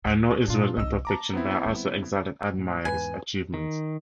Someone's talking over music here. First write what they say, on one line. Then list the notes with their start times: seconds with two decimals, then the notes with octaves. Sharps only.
I know Israel's imperfections, but I also exalt and admire its achievements.
0.05 D2
0.48 A#2 D4 F4
0.77 C2 D#3 D#5 E6
1.05 A#3 A5 A#5 D6
1.33 B3 C4 E4
1.65 D3 G3
2.54 A2 F#3
2.85 E2 G#2 B4 G#5
3.54 D#3